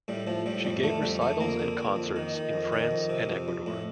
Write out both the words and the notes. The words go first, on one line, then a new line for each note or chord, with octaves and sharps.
She gave recitals and concerts in France and Ecuador.
A2 G3
A2 F3
A2 G3
F2 G3
D3 A3
F2 G3
D3 A3
F2 A#3
D3
D3
F2
D#3
D#3
F2
D#3
F2
C3
F2
F2
A2